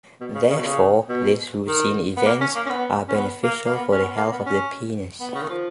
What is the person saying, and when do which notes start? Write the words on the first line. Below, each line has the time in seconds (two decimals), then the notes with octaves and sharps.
Therefore, these routine events are beneficial for the health of the penis.
0.21 B2
0.35 C#3
0.50 C#3
0.57 B2
0.65 C#3
1.09 B2
1.68 D#3
2.17 B3
2.26 A#3
2.41 C#4
2.55 A#3
2.66 C#4
2.70 B3
3.09 C#4
3.14 B3
3.44 A#3
3.66 A#3
3.73 B3
3.92 C#4
4.02 B3
4.17 A#3
4.32 B3
4.46 C#4
5.20 B3
5.35 C#3
5.42 D#3
5.49 F3